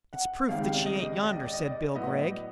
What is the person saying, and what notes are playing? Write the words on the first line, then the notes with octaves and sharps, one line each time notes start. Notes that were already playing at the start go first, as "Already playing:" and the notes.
"It's proof that she ain't yonder," said Bill Gregg.
F#5
C#2 C3 D#3 G#3 F5
D5
D#5
D5
D#5
D5
D#5
D5
A2 F#3 B3 E4 D#5
D5
D#5